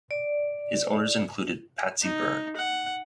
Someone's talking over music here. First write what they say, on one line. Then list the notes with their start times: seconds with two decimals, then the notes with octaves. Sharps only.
His owners included Patsy Byrne.
0.11 D5
2.02 D#4
2.56 F#5